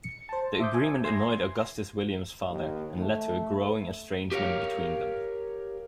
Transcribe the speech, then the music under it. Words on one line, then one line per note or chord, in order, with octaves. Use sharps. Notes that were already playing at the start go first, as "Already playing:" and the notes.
The agreement annoyed Augustus William's father and led to a growing estrangement between them.
C#7
C5 A5
E5 C6 D6 D#6 G6
G#5
C6 G#6 A#6
D#2
A3
G4 A#4 C#5 F5